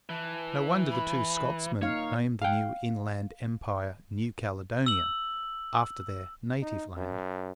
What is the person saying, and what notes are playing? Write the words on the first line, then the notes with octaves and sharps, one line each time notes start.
No wonder the two Scotsmen named the new inland empire New Caledonia--after their native land.
E3 A5
B5
A#3 D#4 C#5 F5
F5 G5
E6 F#7
D#4
F#2